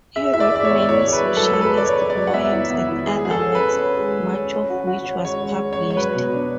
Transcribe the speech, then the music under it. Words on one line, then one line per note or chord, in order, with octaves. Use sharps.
He wrote many socialist poems and other works, much of which was published.
G#4 E5
E4 E5
D5
G#4 D5
C#5
B3
D5
E4 C#5
G#4
B4
F#3
A4
F#3
A4
G#4 B4
G#4 D5
C#5
G#4
D5
F#3
F#5
B3 E5
E4
B3
E4
G#3 G#4
F#4 G#4
A4
C#4
B4
C#4
C#4
G#3
G#3
C#4
C#4
F#4
F#4
C#4
G#3 C#5
G#3
C#4
C#5
G#3
C#5
F#3 B4
B2
D4